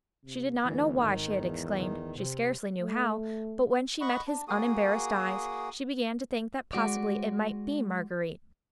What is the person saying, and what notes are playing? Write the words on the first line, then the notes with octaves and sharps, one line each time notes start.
She did not know why she had exclaimed--she scarcely knew how; but when she met his unembarrassed eyes, she began to think that possibly it might be Marguerite.
C3
D2 E3
G#1 D#3
E2
D#3
C3
A3
D#5 F#5 B5 C#6
D4
A#3 F#4 G#4 D#6
G#3 F#4 D5